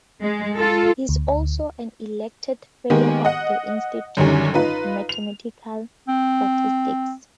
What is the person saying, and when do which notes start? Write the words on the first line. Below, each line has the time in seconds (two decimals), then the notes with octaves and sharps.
He is also an elected Fellow of the Institute of Mathematical Statistics.
0.22 G#3
0.56 F4 A4
1.09 D2
2.90 D#3 G#3 A#3 B3 G4
3.25 D#5 F#5
4.17 F#2 D3 D#3 G3 C#4
4.54 D#4 F4 B4
5.09 F7
6.08 C4